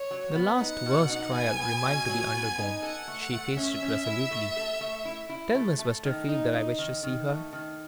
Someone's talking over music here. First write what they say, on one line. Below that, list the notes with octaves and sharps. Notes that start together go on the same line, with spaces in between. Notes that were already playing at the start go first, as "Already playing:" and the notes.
The last worst trial remained to be undergone; she faced it resolutely. "Tell Miss Westerfield that I wish to see her."
Already playing: C#5
F#3
B3
D#4 F#5
B2
D#4
B3 G#5
B3
B2
F#3
B3
D#4
A4 F#5
A3
A3
C#4 E5
C#4
E4
A3
A4
A3
E4
E4
A3
A3
D#3
D#4
D#4
D#3
D#3
A3
D#3